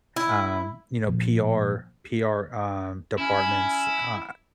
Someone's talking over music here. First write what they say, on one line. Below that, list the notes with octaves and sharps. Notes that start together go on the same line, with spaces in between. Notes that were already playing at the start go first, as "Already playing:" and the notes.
um, you know, PR PR, um, departments. Uh,
E4
A#2 F3
C#4 E4